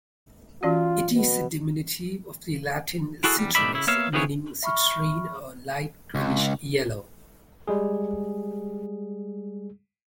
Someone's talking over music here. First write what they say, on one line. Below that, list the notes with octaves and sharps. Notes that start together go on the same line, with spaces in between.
It is a diminutive of the Latin "citrinus" meaning citrine or light greenish-yellow.
E3 C#4 F4 F#4
B2
E4 F#4 G#4 A4
E2 G3
G#2 B2 D#3 D5 E5 B5
C#3 E4
A#3 B3 C#5 E5 F5
D#3 F3 B3 E4 G#4 C#5
E5 B5 C#6 F6
C#2
G3 G#3 G#4